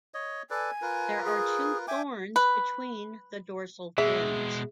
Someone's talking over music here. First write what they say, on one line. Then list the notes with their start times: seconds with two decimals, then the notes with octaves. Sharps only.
There are two thorns between the dorsal fins.
0.14 C#5 D#5
0.50 A4 B4 D5 G#5
0.82 F4 A#4 B4
1.25 G#4
1.88 E5 G5 G#5 D6
2.36 B4
3.98 B2 G#3 G#4 E5